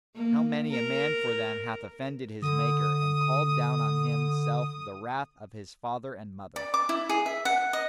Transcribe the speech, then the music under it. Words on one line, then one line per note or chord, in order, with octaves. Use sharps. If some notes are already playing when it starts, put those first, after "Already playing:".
How many a man for them hath offended his Maker and called down on him self the wrath of his father and mother!
A#3
A#4
D3 D#6
D5
D6
E4
G#4
E5
F#5
D#5